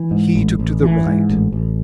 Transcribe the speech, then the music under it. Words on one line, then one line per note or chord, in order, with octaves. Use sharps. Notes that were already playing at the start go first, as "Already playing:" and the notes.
He took to the right.
Already playing: E3
G#2
A1
A1
E3
G#2
A1
A1